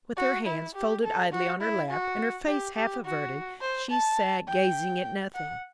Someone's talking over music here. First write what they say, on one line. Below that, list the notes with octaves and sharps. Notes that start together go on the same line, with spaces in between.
With her hands folded idly on her lap, and her face half averted, she sat gazing at nothing.
F#4
E4
G4
A4
F#4
E4
F#4
G4
G4
F#4
C5
A5
G5
F#5